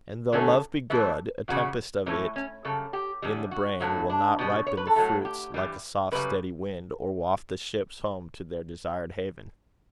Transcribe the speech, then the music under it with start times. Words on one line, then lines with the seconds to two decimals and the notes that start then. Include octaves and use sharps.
And, though Love be good, a tempest of it in the brain will not ripen the fruits like a soft steady wind, or waft the ships home to their desired haven.
0.32 F#2 D3 F#3 A3 C#4
0.90 G2 E3 A3 E4
1.48 E2 C#3 G3 F#4
2.06 A2 E3 A3 C#4
2.36 C#4
2.65 F#2 C#3 G3 A4
2.93 G4
3.22 E2 D3 G3
3.51 F#4
3.80 G2 F#3 A3
4.10 D4
4.39 B2 G3
4.67 C#5
4.77 B4
4.87 A4
4.96 A2 F#3 A3
5.25 G4
5.54 G2 E3 G3
6.11 F#2 C#3 G3 B4